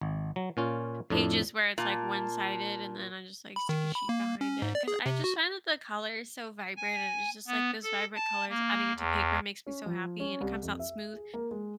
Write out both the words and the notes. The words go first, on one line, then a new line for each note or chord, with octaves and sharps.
pages where it's, like, one-sided, and then I just, like, stick a sheet behind it, 'cause I just find that the color is so vibrant, and it's just, like, those vibrant colors adding it to paper makes me so happy, and it comes out smooth,
G#1
F#3
A#2 C#4 F4
F2 A2 D4
A#2 A5
B5
D#3
B5
A#3
C#4
G#2
D5
G#4
C3
F#4
G#5
B3
A4
A5
A#3
E2
C#4
F3
C#4
C2
F2
E5
G#4
A#3
G#3